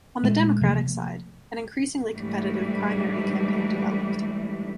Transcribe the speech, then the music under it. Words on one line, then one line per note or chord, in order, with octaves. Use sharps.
On the Democratic side, an increasingly competitive primary campaign developed.
A#2 G#3 A3
C3 F3 A3 A#3
G#2 E3 G3 A3 D4